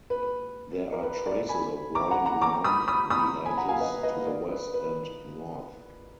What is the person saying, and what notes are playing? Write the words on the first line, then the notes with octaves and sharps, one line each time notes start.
There are traces of walling around the edges to the west and north.
B4
A#4
B4
A#4 D5
G#5 B5
A#5 D6
F#5 A#5
F#5 A#5
A#5 D6
B5 D#6
B5 D#6
B5 D#6
G#5 B5
F#5 A#5
F5 G#5
B4 D#5
B4 D#5
A#4 D5
B4
B4